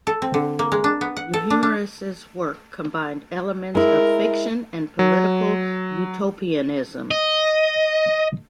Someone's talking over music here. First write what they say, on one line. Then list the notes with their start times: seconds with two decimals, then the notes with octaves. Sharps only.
Euhemerus's work combined elements of fiction and political utopianism.
0.07 A4
0.22 C4
0.34 D3
0.59 A#3
0.72 G#3
0.84 D4
1.01 B3
1.17 F#5
1.34 A4
1.50 D4
1.63 D4
3.75 G#3 E4 A#4
4.99 F#3
7.11 D#5